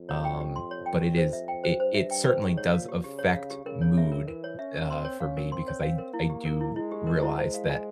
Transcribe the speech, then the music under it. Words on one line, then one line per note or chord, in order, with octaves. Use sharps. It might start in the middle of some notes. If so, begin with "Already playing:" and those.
Um, but it is it it certainly does affect mood, uh, for me because I I do realize that,
Already playing: F2
C#5
G5
G4
C6
C#5
G5
G4
C5
E5
G5
C5
G2 C5
E5
G5
C5
G#2 G4
C#5
A#2 F5
G4
C#3 G4
C#5
F5
G4
C#3 A#4
C#5
E5
A#4
E3 A#4
C#5
C#4 E5
A#4
C4 C6
C#5
C#4 F5
A#4
C4 C6
C#5
F5
A#4
A#3 E4
G4
A#4
E4
G#3 E4
G4
A#4
E4
G#3 C5
F5
G#5